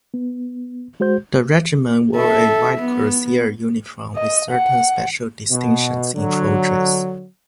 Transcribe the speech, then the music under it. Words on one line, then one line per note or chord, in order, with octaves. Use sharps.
The Regiment wore a white cuirassier uniform with certain special distinctions in full dress.
B3
G#3 F#4 C5 G6
A4 E5
B3
D#5
F#5
B2
D3 F#3